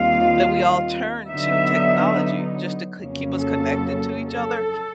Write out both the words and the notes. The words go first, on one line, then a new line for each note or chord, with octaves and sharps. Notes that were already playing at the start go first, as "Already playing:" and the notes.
that we all turned to technology just to k keep us connected to each other,
Already playing: D#2 D#3 G3 C4 F4 F5
D3 F#3 B3 D#4 E5
F2 C#3 F#3 A#3 C#4
A4
A4